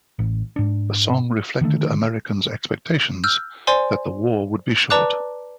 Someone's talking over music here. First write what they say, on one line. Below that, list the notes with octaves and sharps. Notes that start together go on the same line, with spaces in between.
The song reflected Americans' expectations that the war would be short.
A1
G#2 D4
D3 D#3 G3 A3
E6 F6 G6
C5 D5 G#5 C6
B4 D5 A5 A#5 D6 F#6